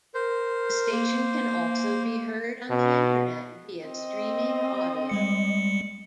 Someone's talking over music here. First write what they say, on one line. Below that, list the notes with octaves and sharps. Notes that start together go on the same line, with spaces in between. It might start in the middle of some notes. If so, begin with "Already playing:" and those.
The station can also be heard on the Internet via streaming audio.
A#4 C5
A#3
B2
C4 D#5
G3 G#3 C#7